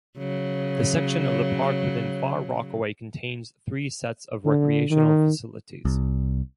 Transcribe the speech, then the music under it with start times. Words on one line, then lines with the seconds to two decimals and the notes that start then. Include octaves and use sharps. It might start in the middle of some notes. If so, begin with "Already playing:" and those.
The section of the park within Far Rockaway contains three sets of recreational facilities.
0.18 C#3 F#3
4.45 D3
4.91 D#3
5.85 C2